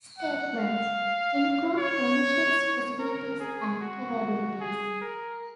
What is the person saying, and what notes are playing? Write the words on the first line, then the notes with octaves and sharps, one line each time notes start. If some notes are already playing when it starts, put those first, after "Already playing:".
"Statements" include permissions, possibilities and capabilities.
F#5
F5
C#5
A#4
G#4
F#4
G#4
A#4